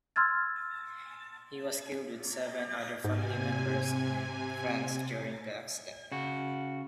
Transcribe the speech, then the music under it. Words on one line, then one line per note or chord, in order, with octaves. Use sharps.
He was killed with seven other family members and friends during the accident.
C6 E6 F6 G#6 A6
G#2 C3 G#5
C#3 F#4